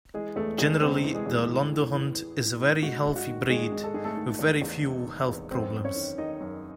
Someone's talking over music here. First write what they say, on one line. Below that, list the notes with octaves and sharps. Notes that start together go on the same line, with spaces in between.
Generally the Lundehund is a very healthy breed with very few health problems.
E3 G#3 G#4
E2 A3 A4
E2 G#3 G#4
C3 C4 C5
E3
G#3 G#4
E2
A2
A2
E3
E3
A2
A2
G#2 F#4
G#2
F#4
D#3
D#3 G#3 G#4
G#2
A4
G#2 G#4
A3 A4
D#3
E2
E2
C3
D#3
E2
F#2 C4 C5
F#2
C#4 C#5
D#3
D#3 D#4 D#5
F#2